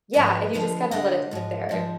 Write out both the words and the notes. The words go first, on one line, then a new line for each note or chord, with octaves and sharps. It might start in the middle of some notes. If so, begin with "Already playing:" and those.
Yeah, and you just, kinda let it sit there.
G#2 F3 G#3 B4 D#5
D2 D3 F3 G#3
D2 D3 G#3 D#5 F#5
G#2 F3 G#3
G#2 F3 G#3